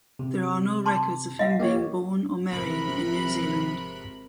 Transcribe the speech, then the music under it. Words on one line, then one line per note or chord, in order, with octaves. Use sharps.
There are no records of him being born or marrying in New Zealand.
C3
A5 C6 D6
D#5 F5 F#5
A#3 G4 C#5
G#1 C3 F3 A#4 B5 F#6